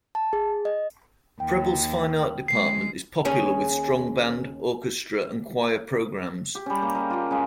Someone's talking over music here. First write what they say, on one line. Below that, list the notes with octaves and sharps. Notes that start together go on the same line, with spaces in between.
Preble's fine arts department is popular, with strong band, orchestra, and choir programs.
A5
G#4
D#5
D#2 G5
G#3 C7
D#2 C#4 G#4
G4
G3 C#4
A#3
A#4 D#5
A#3 F4
C#3 G#3